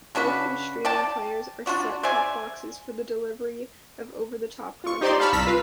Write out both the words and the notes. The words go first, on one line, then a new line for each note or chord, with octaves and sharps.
Roku Streaming Players are set-top boxes for the delivery of over-the-top content.
C#3 D4 F#4 B4
D5 G5 A5
D4 F4 F#4 D5
C5 D5 E5 G#5
F4 C#6
D#4 G4 C5 D5 C6
F5 A5 B5 C#6 F6
C2 A#5 E6 B6
F4 B4 F5